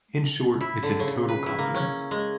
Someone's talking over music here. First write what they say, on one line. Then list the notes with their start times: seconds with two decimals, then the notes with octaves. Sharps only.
In short, it's in total confidence.
0.61 E4
0.83 D3
1.00 C#3
1.28 B4
1.46 E4
1.58 A#3
1.75 C#4
2.11 G#3